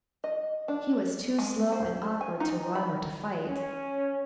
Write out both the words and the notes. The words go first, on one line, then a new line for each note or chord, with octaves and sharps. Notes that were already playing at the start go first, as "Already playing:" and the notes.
He was too slow and awkward to run or to fight.
D#5
D4
G#3
C5
G#5
D#4
B5
C#4